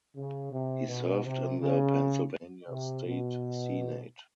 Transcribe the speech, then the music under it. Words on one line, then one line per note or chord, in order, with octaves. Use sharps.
He served in the Pennsylvania State Senate.
C#3
C3
B2
C3
C#3
C3
B2